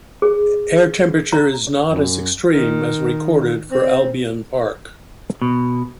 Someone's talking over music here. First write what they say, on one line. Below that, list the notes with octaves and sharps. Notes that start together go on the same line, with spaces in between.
Air temperature is not as extreme as recorded for Albion Park.
G#4
A#5
F#2
D#3
C4
B2